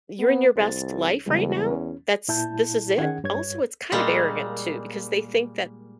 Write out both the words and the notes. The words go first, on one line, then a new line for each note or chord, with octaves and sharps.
you're in your best life right now? That's this is it?” Also, it's kind of arrogant, too, because they think that
B3
C2 C5 A6
E2 C#3 G3 G#3
C#4
A#2 E4 A5 G6
D#3 C#4 G#4 F#5 G#6
G2 C#5 G#6
A#2 G3 G#3 A#3